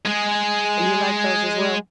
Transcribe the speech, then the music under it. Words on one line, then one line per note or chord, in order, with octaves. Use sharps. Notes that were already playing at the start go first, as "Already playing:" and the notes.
You like those as well?
G#3 G#4